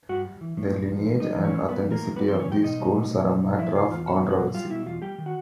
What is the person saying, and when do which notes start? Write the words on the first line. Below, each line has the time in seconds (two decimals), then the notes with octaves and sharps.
The lineage and authenticity of these schools are a matter of controversy.
0.09 G2 F#4 F#5
0.25 G3
0.41 E3
0.57 A2
0.73 A#2
0.89 F3
1.05 A#2
1.20 G3 D#4 D#5
1.36 E3
1.44 C#4 C#5
1.52 A2
1.68 G3 B3 B4
1.84 E3
1.91 A#3 A#4
2.00 A2
2.16 G3 B3 B4
2.28 C4 C5
2.32 E3
2.39 C#4 C#5
2.48 G2 G4 G5
2.64 B2 D#4 D#5
2.80 G3
2.95 B2
3.11 B2
3.28 G3
3.43 B2
3.59 F3 E4 E5
3.75 C#3 F4 F5
3.90 E2 F4 F5
4.07 B2 F#4 F#5
4.23 F#3
4.30 F#4 F#5
4.38 B2
4.54 G3 F4 F5
4.70 B2 E4 E5
4.86 E2 F4 F5
5.02 G3 G4 G5
5.18 D#3
5.26 F#4 F#5